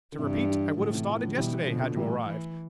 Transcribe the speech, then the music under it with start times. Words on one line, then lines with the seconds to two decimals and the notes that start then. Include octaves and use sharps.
To repeat, I would have started yesterday, had you arrived.
0.12 D3
0.19 G2 C3 E3
0.34 E3 G3
0.49 E3 G3
0.78 A2 D3 F3
0.93 C3 E3
1.07 F3
1.14 E3
1.23 D3 F3
1.37 B2 E3 G3
1.52 E3 G3
1.66 B2 D3 F3
1.81 D3 F3
1.96 A2 E3 G3
2.26 E3